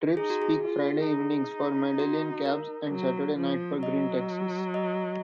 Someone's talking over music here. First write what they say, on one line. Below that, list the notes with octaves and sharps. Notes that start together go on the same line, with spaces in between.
Trips peak Friday evenings for medallion cabs, and Saturday night for Green Taxis.
D#4 G#4
F#4
G#4
F4
D#4
F#4
A#4
F#3
F3
F#3 D#5
D#5